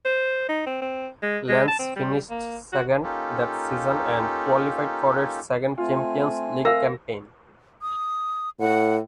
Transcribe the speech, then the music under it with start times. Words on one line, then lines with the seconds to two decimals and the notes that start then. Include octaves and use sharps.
Lens finished second that season and qualified for its second Champions League campaign.
0.05 C5
0.49 D#4
0.66 C4
0.81 C4
1.22 G#3
1.49 G#3
1.68 A5
1.79 C4
1.96 G3
2.30 A#3
2.72 F#4
3.03 A#3 C#4 D#4 F4 G4 A4
5.78 A3 C4 F4 G#5
6.65 A#4 F5 E6 A#6
7.82 D#6
8.59 A2 F#5